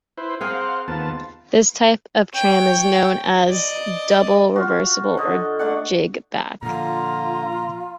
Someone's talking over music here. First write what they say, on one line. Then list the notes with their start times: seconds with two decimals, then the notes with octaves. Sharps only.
This type of tram is known as a double-reversible or "jig-back".
0.17 E4 B4 C5
0.41 C4 G#4 A#4 C5 F5 F#5
0.88 D#2 B3 F4 A5
2.34 C#5 G5
3.49 D5 D#5
4.56 F4 F#4
5.17 D3 D#5
5.59 A3 D4 F#5
6.63 A#2 D3 F3 F4 A#5